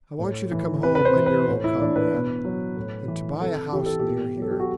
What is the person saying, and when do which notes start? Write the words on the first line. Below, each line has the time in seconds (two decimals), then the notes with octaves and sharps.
I want you to come home, my dear old comrade, and to buy a house near here.
0.19 A2
0.52 E3
0.83 C3 B4
0.95 B4
1.05 C5
1.16 E3
1.26 B4
1.48 A2
1.64 E4
1.80 E3 D4
1.96 B4
2.12 B2
2.45 F#3
2.77 A2
3.08 E3
3.41 C3 A4
3.73 E3 G4
3.86 A4
3.99 G4
4.06 B2
4.36 F#3
4.42 A4
4.51 G4
4.60 F#4